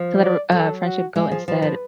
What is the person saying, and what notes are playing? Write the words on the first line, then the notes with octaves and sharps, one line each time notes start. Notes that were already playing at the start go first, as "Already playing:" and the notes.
To let a r uh, friendship go instead.
Already playing: F3
D5
F#3 A4
F#4
G#3 G#4
F3
F3 B4
F3